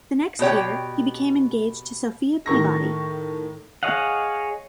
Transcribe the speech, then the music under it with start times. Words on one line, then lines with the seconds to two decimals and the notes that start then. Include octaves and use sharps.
The next year, he became engaged to Sophia Peabody.
0.39 B2 G4 C#5 G5
2.46 A2 D#3 C#6 A#6
3.83 G#4 C#5 D#5 F5 F#5